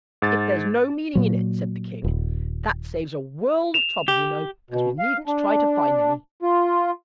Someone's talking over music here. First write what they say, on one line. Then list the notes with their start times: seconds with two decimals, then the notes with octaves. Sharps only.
'If there's no meaning in it,' said the King, 'that saves a world of trouble, you know, as we needn't try to find any.
0.22 G#2 A6
1.15 A#2 F#3
2.04 D#1
3.74 E7 F7
4.08 G4
4.70 B2
4.99 F5
5.27 D4
6.42 F4